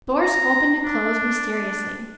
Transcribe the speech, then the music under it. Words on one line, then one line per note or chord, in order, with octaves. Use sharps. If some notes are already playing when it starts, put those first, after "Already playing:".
Doors opened and closed mysteriously.
A#5
D4
D4